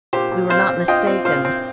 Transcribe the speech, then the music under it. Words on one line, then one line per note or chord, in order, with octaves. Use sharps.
We were not mistaken.
A#2 G4 C5
A#2
C4 C5 F5
C4
F4 D#5 G5
C4
A#2 C5 F5
C4